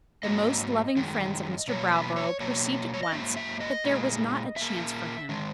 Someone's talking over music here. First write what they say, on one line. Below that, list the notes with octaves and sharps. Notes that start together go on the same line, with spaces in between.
The most loving friends of Mr. Browborough perceived at once that there was not a chance for him.
G#2 F#3 A#3 D#5
F#2 D#3 G#3
B2 F#3 A#3 C#5
B4
C#5
B2 F#3 A#3 C#5
C#5
D#5
G#2 F#3 A#3 E5
E5
D#5
A#2 G#3
A#2 A#3 E5
D#3 G#3